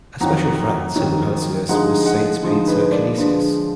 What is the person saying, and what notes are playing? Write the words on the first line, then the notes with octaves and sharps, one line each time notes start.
A special friend to Hosius was Saint Peter Canisius.
F2 D#3 F#3 F#5 A#5
F2 D#3 F#3
D3 F3 G#3 D#4 F#5 A#5
D#5 F#5
D3 F3 G#3 D#4
B4 D#5
A#4 D5
D3 F3 G#3 D4 B4